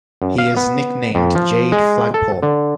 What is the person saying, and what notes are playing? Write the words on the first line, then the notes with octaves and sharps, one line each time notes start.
He is nicknamed "Jade Flagpole".
F#2
F5
B3
F2
F3
G#3
A4
D3